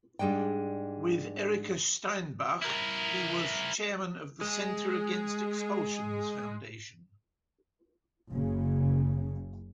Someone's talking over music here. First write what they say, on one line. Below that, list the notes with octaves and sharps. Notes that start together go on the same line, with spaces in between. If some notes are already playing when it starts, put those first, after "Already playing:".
With Erika Steinbach, he was chairman of the "Centre Against Expulsions" foundation.
G#2 G3 G#3 D4 G5
E4 A#4
G#3 G#4
F#1 C#3